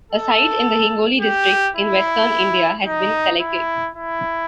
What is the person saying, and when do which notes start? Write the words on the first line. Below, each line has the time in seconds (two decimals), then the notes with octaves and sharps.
A site in the Hingoli district in western India has been selected.
0.12 A4
1.21 G4
1.76 E4
2.86 D#4
3.40 E4
3.95 E4